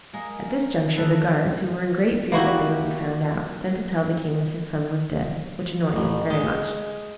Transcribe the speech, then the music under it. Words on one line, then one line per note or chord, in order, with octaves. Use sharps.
At this juncture the guards, who were in great fear that they would be found out, sent to tell the King that his son was dead, which annoyed him very much.
G#3 A#3
D#3 B3 A4 B4
A#3 E4 F#4 G4
A1
G#3